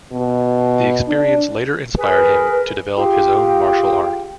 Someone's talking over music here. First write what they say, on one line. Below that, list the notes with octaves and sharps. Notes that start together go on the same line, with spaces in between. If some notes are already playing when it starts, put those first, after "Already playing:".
The experience later inspired him to develop his own martial art.
B2
D4
G#4 A#4 B4
F4 G4 G#4 F5 G5